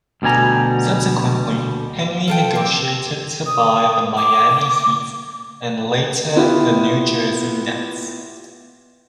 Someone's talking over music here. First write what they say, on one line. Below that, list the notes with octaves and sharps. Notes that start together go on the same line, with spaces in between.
Subsequently, Henry negotiated to buy the Miami Heat and later the New Jersey Nets.
D2 B2 G3 G#5 A#5
F4 A4 G5
C4
D#6
D6
B3 E4 F4 G4